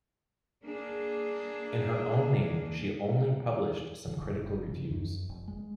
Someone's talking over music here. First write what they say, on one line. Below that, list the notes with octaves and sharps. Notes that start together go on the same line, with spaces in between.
In her own name, she only published some critical reviews.
A#3 D4 G#4
D3
F#1
C#3
F#2
F1
G#3